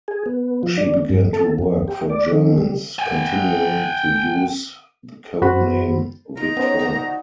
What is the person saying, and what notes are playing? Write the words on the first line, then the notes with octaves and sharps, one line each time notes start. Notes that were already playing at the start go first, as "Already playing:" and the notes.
She began to work for Germans continuing to use the code name "Victoire".
G#4
B3
F3
D4
G2
A4
F2
G4
D5
D#3
G3
G5 G#5
F#2 F#4 C5 B5
D#4 F4 A#5
F#3 B3 C#4 C5 C#5
D3 F3 F#4